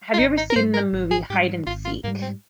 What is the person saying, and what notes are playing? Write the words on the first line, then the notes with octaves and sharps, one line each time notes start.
have you ever seen the movie Hide and Seek?
F4
G#1 D#4
D#4
A#4
G#2 G3 C5
A#4
G#1
G#4
G#2 G3 G4
G#1 F4
F4
G#2 G3 A#3
C4